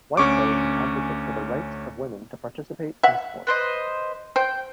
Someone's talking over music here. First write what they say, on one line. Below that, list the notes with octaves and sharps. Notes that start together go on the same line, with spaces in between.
Whitehill is an advocate for the rights of women to participate in sports.
D2 C#4 C#6 D6
E5 F#5
B4 C5 D#5
C5 G5